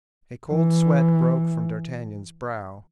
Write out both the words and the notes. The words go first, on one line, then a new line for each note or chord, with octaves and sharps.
A cold sweat broke from d'Artagnan's brow.
E3